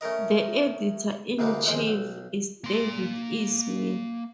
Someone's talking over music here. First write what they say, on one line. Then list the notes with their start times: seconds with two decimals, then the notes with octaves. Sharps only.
The editor-in-chief is David E. Smith.
0.01 A3 C#4 A#4 D#5
1.39 D2 G#2 C3 A#3 B3
1.66 A#1 D#2 F3 G#3 C6
1.87 B1
2.64 A#3 C6